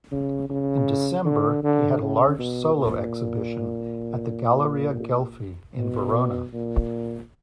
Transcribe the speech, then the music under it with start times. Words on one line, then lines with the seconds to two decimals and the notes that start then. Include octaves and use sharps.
In December he had a large solo exhibition at the Galleria Ghelfi in Verona.
0.12 C#3
0.49 C#3
1.25 D3
1.63 D3
2.01 C#3
2.39 B2
2.76 A#2
5.78 B2
6.53 A#2